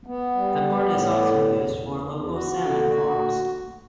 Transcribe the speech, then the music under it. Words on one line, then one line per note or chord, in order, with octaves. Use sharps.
The port is also used for local salmon farms.
B3
G3
B3
A2
D3
E2
E2
E2
F#4
D3
F#4